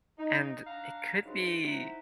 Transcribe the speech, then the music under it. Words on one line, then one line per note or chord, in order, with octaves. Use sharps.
and it could be
D#4
D4 F5 F#5 A#5
G2 C#3 F#3 D#4 B4 C5
D#4 E4 C5 F#5 A#5